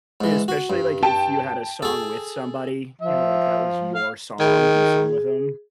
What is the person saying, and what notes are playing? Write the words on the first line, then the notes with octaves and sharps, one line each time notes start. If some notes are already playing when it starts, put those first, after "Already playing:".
Especially, like, if you had a song with somebody, you know, like, that was your song, you sung with them,
G#2 E3
F#4
G2
G5 A5
G#4 A4
F3 E5
F5
D#3 G#4